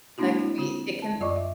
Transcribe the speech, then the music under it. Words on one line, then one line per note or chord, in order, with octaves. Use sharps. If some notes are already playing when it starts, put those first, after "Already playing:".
That can it can
G#3 A#3 C4 D4 E4 F#4
E4
D3 C4
A5
F#2 F4 D5 D#5 C#6 D6
E5